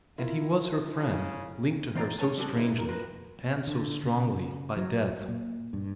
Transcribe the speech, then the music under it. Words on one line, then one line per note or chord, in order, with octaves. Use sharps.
And he was her friend, linked to her so strangely and so strongly by death.
E4 F4 A#4
C#3
E3 C4 C5 D5 A#5
C4 C#4 B4 C#5 G#5 A5
G3 C4 D4 F#4 G#4 A4
D3 F#3 D#4 E4 B4
C2 A#4
F3 F#4 A#4 B4
D3
C#3
F#3
A#2
G2